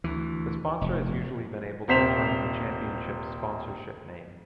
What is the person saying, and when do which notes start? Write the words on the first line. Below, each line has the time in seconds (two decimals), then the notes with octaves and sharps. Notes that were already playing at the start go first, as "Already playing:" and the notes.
The sponsor has usually been able to determine the championship's sponsorship name.
0.04 D2 E3
0.81 F1
1.88 D#1 C3 C5 B6 E7 F7